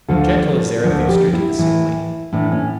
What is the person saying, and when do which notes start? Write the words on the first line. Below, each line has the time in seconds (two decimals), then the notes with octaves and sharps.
Gentle is Zarathustra to the sickly.
0.08 D2 D3 F3 A4
0.84 D2 D3 F3
1.09 G4
1.33 E4
1.59 A2 E3
2.33 A2 E3 D4
2.52 C#4